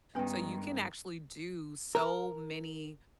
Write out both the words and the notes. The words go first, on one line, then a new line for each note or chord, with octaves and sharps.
so you can actually do so many,
G2 D#3 G#3 B3 C#4 B4 G5
A#4